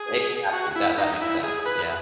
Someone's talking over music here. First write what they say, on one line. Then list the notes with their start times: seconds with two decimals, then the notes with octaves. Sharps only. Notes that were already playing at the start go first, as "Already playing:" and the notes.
Exactly, that that makes sense, yeah,
Already playing: G#4
0.53 F#4
0.76 E4
0.98 D#4
1.22 E4
1.43 G#4
1.66 B4